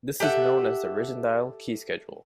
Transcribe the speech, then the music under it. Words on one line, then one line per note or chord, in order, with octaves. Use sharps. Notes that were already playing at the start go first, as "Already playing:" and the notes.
This is known as the Rijndael key schedule.
G4 A4 E5 F#5